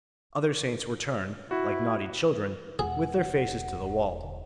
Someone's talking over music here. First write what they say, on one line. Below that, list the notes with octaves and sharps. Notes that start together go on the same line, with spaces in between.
Other saints were turned, like naughty children, with their faces to the wall.
E4 F#4
E1 G#4 F#5